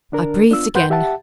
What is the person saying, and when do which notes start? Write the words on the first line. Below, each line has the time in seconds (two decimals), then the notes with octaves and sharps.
I breathed again.
0.12 D3 D4 A#4
0.50 B3 D4 F4 E6
0.74 F#2 B4 F#5 C6 G6
0.90 G4 E5 F#5 A5